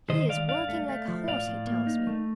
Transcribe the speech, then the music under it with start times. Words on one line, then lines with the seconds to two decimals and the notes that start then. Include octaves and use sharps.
He is working like a horse, he tells me.
0.10 D#3 C5 D#5
0.29 D#3 D5 F5
0.49 G2 D5 F5
0.69 A3
0.89 A3
1.08 F3
1.28 A2 D5 F5
1.47 A2
1.67 A#3
1.87 D#4
2.07 A3